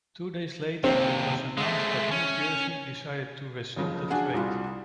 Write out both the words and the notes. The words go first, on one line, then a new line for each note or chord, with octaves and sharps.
Two days later, it was announced that New Jersey decided to rescind the trade.
D#2 C3 C4
G#3 A3
C#4
F#1 C#3 F3
D4 F#4 G#4 F#5
C2 G3 F4 F#4